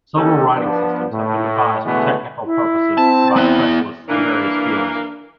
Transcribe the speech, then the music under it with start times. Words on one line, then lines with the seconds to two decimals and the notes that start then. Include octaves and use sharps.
Several writing systems have been devised for technical purposes by specialists in various fields.
0.16 A#3 C#4 D#4 G4 A4
0.55 F3 B3 D4
1.12 A2
1.85 B2 D3 E3 G#3 A3 B3
2.45 E4
2.98 C4 A5
3.36 B3 E4
4.09 E3 A#3 D4